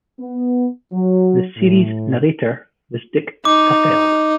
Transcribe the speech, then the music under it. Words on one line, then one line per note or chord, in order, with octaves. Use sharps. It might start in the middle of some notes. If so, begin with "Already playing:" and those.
The series' narrator was Dick Tufeld.
B3
F#3
A2
D#4 D6